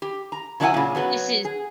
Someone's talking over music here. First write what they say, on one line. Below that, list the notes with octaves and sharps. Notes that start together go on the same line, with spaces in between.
this is
G4
A#5
C#3 F#3 D4 E4 F#5 G#5
A#2 C#3
F#3 B3 F#4
G#4